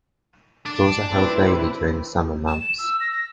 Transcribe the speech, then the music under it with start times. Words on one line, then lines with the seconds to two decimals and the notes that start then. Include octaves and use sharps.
Tours are held daily during the summer months.
0.66 D4
1.10 C4 E4 B4
2.47 E7
2.78 E6
3.00 A#6
3.12 A#6